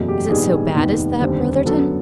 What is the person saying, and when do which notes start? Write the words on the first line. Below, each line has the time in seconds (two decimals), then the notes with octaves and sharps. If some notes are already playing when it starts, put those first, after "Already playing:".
"Is it so bad as that, Brotherton?"
Already playing: F#1 E2 B2 F#3 A3
0.08 G4
0.30 A#1 G#2 D#3 G3 B3 G#4
0.76 F1 D#2 D#3 G3 B3
1.21 F1 D#2 D3 G3 C4
1.66 F#2 D3 F#3 B3 A4